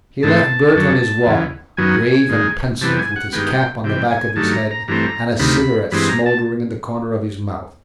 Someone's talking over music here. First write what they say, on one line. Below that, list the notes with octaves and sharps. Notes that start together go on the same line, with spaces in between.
He left Bert on his wall, grave and pensive, with his cap on the back of his head, and a cigarette smouldering in the corner of his mouth.
G#2 E3 A3 C4 A5
F#2 D3 F#3
E2 C#3 E3
F#2 D#3 F#3 B3 G#5
G#2 D#3 G#3
C3 E3 G3 B3 A5
G#5
F#5
G2 D#3 G#3 B3 G5
C3 E3 G3 G5
G#5
G2 D#3 F#3 A3 A5
A#5
A#5
G2 E3 A3 C4 A#5
D2 C3 D#3 B5
G2 E3 G#3 C4 B5
A#5
A5